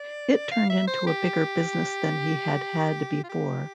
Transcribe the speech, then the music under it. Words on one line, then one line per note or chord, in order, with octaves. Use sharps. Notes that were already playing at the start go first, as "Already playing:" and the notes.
It turned into a bigger business than he had had before.
Already playing: D5
F5
E5
C5
G4
F4
G4